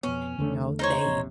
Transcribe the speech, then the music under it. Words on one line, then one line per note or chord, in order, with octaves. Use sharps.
You know, they
F2 B2 B3 C#4
E2 D3 A3
D#4 C5 C#5
E1 A#1 C3